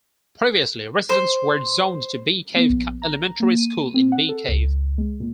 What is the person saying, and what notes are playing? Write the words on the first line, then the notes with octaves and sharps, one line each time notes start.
Previously residents were zoned to Bee Cave Elementary School in Bee Cave.
C5
B3
A#1
A#5
A#3
D#7
C4
F#5
A4
C#2
G#3
A#2